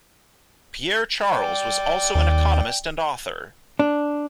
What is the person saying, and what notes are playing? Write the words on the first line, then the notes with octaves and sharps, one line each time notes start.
Pierre-Charles was also an economist and author.
D5 G5
D#2
D4